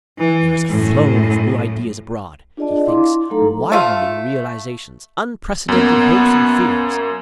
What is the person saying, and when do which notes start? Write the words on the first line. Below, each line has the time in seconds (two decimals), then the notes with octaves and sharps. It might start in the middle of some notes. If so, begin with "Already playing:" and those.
There is a flow of new ideas abroad, he thinks, widening realizations, unprecedented hopes and fears.
0.18 E3
0.69 F#2 A2
2.57 D4 F4 G#4 D5 D#5 A5
2.86 E4 F5 C6 D6
3.30 F#3 A3 D#4 A4 A#5
3.72 A3 F4 F5
5.68 F#2 A#3 B3